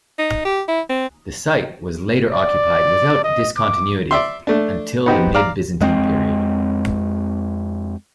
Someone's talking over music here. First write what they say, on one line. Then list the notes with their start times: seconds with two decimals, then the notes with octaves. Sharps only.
The site was later occupied without discontinuity until the mid Byzantine period.
0.19 D#4
0.45 G4
0.68 E4
0.89 C4
2.31 D5
3.24 D#5
3.57 D6
4.11 D5 E5 C6
4.47 A3 D4
5.06 B3 C4 D#4 F#4 G4
5.35 D5 F5 A#5
5.81 F2 G#3 B3 C4